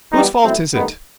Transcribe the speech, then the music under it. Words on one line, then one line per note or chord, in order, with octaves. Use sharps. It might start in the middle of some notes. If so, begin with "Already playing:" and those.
Whose fault is it?
F#2 E3 G3 B3 D#4
B2 F#3 A3 C4 E4
G2 D#3 A3 B3 D#4